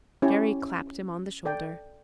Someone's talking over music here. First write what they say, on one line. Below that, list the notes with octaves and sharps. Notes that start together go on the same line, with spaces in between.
Jerry clapped him on the shoulder.
C#4 E4 G4 C#5
A4 D5 G5